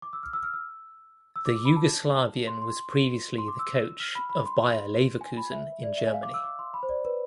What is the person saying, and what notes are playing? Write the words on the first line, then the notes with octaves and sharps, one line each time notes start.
The Yugoslavian was previously the coach of Bayer Leverkusen in Germany.
D6
E6
F6
E6
F6
E6
E6
D6
D6
B5
A5
C6
C6
C6
D6
E6
F6
B5
B5
C6
G#5
B5
E5
D5
E5
G#5
F5
D6
E6
D6
C6
B5
C5
D5
B4